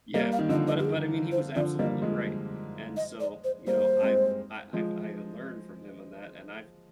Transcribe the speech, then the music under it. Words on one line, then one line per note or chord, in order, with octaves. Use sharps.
Yeah, but but I mean, he was absolutely right. And so, you know, I I I've I've learned from him on that, and I've
G3 A#3 D#5
F5
D#3
D3 F3 D#5
D#5
G4
G#4
C5
D3 F3 D5
G3 A#3 D#5
F3 G#3
D#5
D5
C5
G3 A#3 C5
G#3 C4
F3 G#3